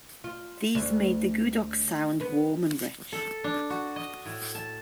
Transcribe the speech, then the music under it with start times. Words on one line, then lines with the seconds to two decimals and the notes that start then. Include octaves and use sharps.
These made the gudok's sound warm and rich.
0.24 F4
0.75 D2
2.21 B3
3.12 A4
3.44 D4
3.70 F#4
3.96 D#5
4.26 A2
4.55 A5